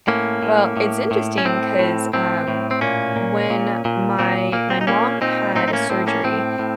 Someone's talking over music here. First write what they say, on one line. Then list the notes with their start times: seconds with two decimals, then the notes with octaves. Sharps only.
Well, it's interesting 'cause, um, when my my mom had a surgery
0.08 A2 A#3 C#4
0.43 A2
0.77 A2
1.11 A2
1.38 C#4
1.45 A2 C4
1.79 A2
2.13 A2 C4
2.48 A2
2.71 C4
2.81 A#2 A#3 C#4
3.16 A#2
3.50 A#2
3.85 A#2
4.19 A#2 C4
4.52 A#2 A#3
4.70 C4
4.81 D#4
4.87 A#2 A#3 C#4
5.21 A#2 C4 D#4
5.55 A2 C4 D#4
5.68 D#4
5.73 A#3 C#4
5.90 A2 C4
6.07 A#3 C#4
6.24 A2 C4
6.59 A2